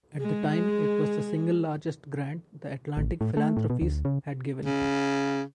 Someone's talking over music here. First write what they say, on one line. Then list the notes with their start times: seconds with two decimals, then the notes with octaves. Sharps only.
At the time, it was the single largest grant the Atlantic Philanthropies had given.
0.17 G#3 G#4
2.97 A1
3.21 A2
3.37 A3
3.57 A2
3.70 B2
3.82 D2
4.05 C#3
4.65 C#3